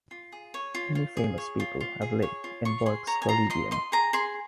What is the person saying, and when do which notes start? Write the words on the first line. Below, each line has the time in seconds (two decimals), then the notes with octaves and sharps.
Many famous people have lived in Borchs Kollegium.
0.11 F4
0.32 G#4
0.54 C#5
0.75 F4
0.95 F4
1.17 G#4
1.38 C#5
1.60 F4
1.81 F4
2.02 G#4
2.22 C#5
2.44 F4
2.65 F4 C#6
2.86 G#4 C6
3.07 C#5 A#5
3.22 G#5
3.29 F4 A#5
3.50 D#5 C6
3.71 D#5 C6
3.92 G#4 A#5
4.13 G#4 C6